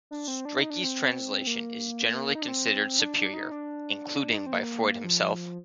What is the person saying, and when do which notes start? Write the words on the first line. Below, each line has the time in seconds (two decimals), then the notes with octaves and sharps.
Strachey's translation is generally considered superior, including by Freud himself.
0.11 D4
0.28 C4
0.45 D4
0.58 D#4
0.70 D4
0.84 C4
1.47 A#3
2.35 D#4
2.42 D4
2.48 C4
2.99 D4
3.17 D4
3.34 D#4
3.51 D4
4.31 D#4
4.38 D4
4.46 C4
4.53 A#3
5.04 F3